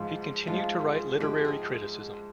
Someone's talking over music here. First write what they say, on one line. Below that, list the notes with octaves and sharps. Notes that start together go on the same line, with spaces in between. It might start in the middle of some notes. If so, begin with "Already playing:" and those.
He continued to write literary criticism.
Already playing: G#2 F3 G#3 F4
G#2 F3 G#3 F4
G#2 F3 G#3 G4
G#4